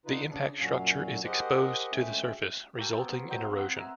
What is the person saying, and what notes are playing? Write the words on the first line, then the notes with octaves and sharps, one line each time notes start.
The impact structure is exposed to the surface, resulting in erosion.
D3 D#4 F4 B4
C#3 D4
F#2 A#2 F#3 C#4 F5
G4 G#4 A#4 C5 D#5 F#5
D2 G#3 C#4 E5 G5
A#3 F#4 A4 G5
B3 C4 A#4 G#5
F#3 C4 D#5 G5
C4 F5
F#5
A#4 E5 G#5 A#5